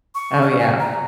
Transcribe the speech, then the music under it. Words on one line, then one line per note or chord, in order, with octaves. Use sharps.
Oh, yeah.
C#6
D5
G#5
A#5